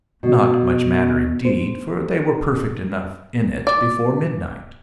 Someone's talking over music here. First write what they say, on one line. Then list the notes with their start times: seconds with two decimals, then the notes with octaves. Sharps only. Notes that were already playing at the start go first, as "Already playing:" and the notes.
Not much matter indeed, for they were perfect enough in it before midnight.
0.23 B2
1.45 C5
3.67 D5